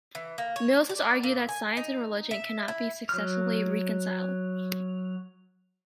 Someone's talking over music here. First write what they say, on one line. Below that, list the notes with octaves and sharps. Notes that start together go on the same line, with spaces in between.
Mills has argued that science and religion cannot be successfully reconciled.
E3
A#3
C#5
D5
A#2
G#5
D#4
E5
E4
F#3 F6